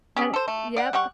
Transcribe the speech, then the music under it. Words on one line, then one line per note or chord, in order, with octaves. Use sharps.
and yep.
C#4 G4 G#4
A4 C5
A3
D5 F#5
G3 G4 F#5 C#6